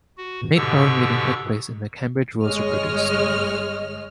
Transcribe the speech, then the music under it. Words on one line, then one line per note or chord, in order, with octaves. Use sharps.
An eight-hour meeting took place, and the Cambridge rules were produced.
F#4
G#2 B2 D3 G4 C#6 E6
G1 G#3 C#5 D#5 F6